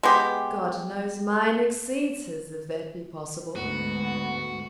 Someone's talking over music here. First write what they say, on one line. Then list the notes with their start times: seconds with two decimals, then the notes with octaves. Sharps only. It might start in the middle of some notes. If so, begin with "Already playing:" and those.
'God knows mine exceeds his, if that be possible.
0.03 G#3 B3 G4
3.56 D2 G#2 B3 F#4